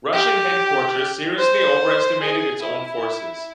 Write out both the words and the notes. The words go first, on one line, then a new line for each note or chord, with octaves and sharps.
Russian headquarters seriously overestimated its own forces.
G4
C5
G#4
E4